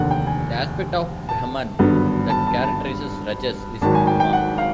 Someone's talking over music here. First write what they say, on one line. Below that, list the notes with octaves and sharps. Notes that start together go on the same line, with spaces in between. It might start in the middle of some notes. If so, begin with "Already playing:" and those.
The aspect of Brahman that characterizes "Rajas" is Brahma.
Already playing: F1 D#2 D3 F#5
G5
G#5
A5
G#1 G2 D3 F#3 B3
A5
A5
A5
G#1 G#2 D#3 F#3 A5
G#5
G5
G5
F#5
F5